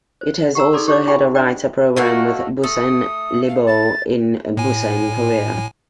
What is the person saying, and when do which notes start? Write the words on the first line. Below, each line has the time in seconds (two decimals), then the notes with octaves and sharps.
It has also had a writer program with Busan Ilbo in Busan, Korea.
0.21 C5
0.55 G4 F#5 A#5 E6
0.73 D#4 G#4 A4 D5 C6
0.88 G4 C#5 D6
1.07 E4 G4 G#4 G5 G#5 B5
1.35 D4 C5 D5 G5
1.96 A3 A#3 F#4 D#5
2.64 A3 D#6
3.48 F5
3.67 A6
4.57 A2 G#5